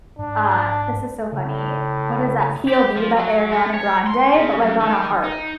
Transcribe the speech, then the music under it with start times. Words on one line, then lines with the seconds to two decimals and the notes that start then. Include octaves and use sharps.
uh, this is so funny. What is that? "POV" by Ariana Grande, but, like, on a harp.
0.19 G#2 D4
1.32 A2 C#3
2.68 G4
2.97 F3
3.17 F#3
3.52 A3
3.74 C#5
4.07 C6
4.34 C#3
4.60 F#2
4.80 D#3
5.24 D#4